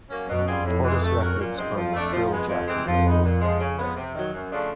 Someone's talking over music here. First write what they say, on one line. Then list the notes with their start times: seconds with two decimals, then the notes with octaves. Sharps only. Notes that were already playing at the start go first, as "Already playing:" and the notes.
Tortoise records on the Thrill Jockey label.
0.10 F#3 A#3 C#4
0.28 F#2 B2
0.46 G3 C4 F4 G#4
0.64 F2 A2
0.83 E3 G#3
1.02 A3
1.20 C#4 F#4 A#4
1.39 F#2 A#2
1.56 F3 G#3 C4 D#4
1.74 F2 F3
1.93 A3 D4
2.11 F3
2.31 G#3 B3
2.49 F2
2.67 C3 E3 G#3 C4
2.85 F2 F3
3.04 G#3 B3 D#4
3.23 A#2
3.40 F3 G#3
3.59 C#3
3.78 F3 G#3 B3
3.95 C3
4.13 D#3 F#3
4.32 F#2
4.50 C#3 F3 A3 D4